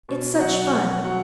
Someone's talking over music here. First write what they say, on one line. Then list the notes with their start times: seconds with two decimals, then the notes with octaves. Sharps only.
It's such fun!
0.09 B2
0.40 F#3 F#5
0.72 B2 F#5
1.04 F#3 F#5